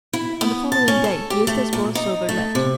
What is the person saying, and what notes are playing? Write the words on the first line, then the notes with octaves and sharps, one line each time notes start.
On the following day Eustace Borlsover left.
E4
B3
A5
C#4
A4
G4
A3
A#2
D#4
A3
C3